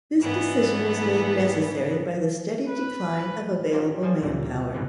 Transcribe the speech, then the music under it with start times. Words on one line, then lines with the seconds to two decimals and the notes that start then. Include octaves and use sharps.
This decision was made necessary by the steady decline of available manpower.
0.20 G#2 E3 B3 D4
2.68 B4
3.72 C#4 F4 G4 A#4 C5 D5
4.03 F3 G3 C5 G#5 A5
4.21 D2 A#2 E3 G3
4.74 G#2 B2 D3 E3